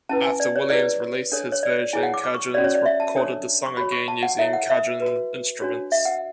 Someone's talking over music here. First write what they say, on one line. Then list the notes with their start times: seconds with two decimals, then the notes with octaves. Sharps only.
After Williams released his version, Cajuns recorded the song again using Cajun instruments.
0.09 C#4 E4 B4 A5
0.24 G#5
0.40 D5
0.56 C#5
0.70 E4 G#4 B4 D5
1.32 D4 A4 C#5
1.52 C#5
1.63 D5
1.93 E4 G#4 C#5 G#5
2.03 F#5
2.14 D6
2.24 D6
2.35 C#6
2.54 C#4 F#4 C#5 D5
2.64 C#5
2.75 D5
2.86 E5
3.00 A5
3.15 D4 A4 C#5
3.66 C#6
3.77 F#4 C#5 B5
3.92 C#6
4.08 A5
4.23 F#5
4.38 E4 A4 C#5 E5
4.53 F#5
4.70 E5
5.00 F#4 B4
5.62 D4 F#4 C#5
5.92 E5
6.05 F#5